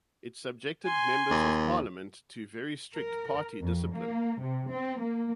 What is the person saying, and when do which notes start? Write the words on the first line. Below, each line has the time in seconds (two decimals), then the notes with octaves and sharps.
It subjected Members of Parliament to very strict party discipline.
0.84 G#5 C6
1.31 D#2
2.96 A#4
3.61 F2
3.94 A#3
4.41 C3
4.71 C4
5.00 A#3